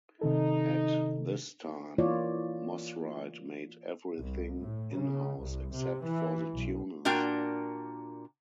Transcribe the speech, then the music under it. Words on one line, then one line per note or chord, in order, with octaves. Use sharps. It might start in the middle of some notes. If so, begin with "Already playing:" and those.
At this time, Mosrite made everything in-house, except for the tuners.
C3 D#3 D#4 A4
E3 A#3 F4 C#5 D5
C2
A2
C#3
C2
C3
E3
B1
A#2 D4 F#4 A#4 G5